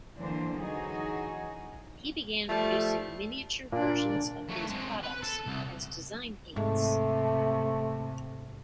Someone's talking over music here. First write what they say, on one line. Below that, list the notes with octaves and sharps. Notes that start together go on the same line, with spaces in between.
He began producing miniature versions of his products as design aids.
D3 E3 F#3 A#3 D4 C5
E3 F#3 D#4 F#4 G#4
F3 G3 A3
A#2 A#3 D4 F4 D5
F#3 A3
C3 G#3
B4
A4
C2
G#2 C3 A3